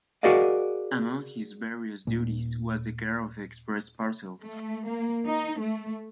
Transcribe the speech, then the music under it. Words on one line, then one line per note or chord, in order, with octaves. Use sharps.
Among his various duties was the care of express parcels.
F#4 G#4 A#4 D5 D#5 F5
D#1 A#2 A#3
A3
A#3
D#4
A3